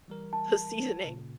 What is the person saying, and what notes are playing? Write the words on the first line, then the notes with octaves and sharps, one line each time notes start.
the seasoning.
E3 G3 A#4
A5
A#2 C#3